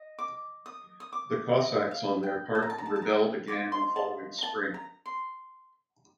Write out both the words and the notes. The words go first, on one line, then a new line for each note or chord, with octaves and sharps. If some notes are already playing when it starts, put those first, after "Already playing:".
The Cossacks on their part rebelled again the following spring.
Already playing: D#5
D6
D#6
D#6
D6
D#5
F5
G5
A5
A#5
A5
A#5
A5
A5
A#5
F4 C5 D#5 D6
C6
A5
A#5
A5
A#5
C6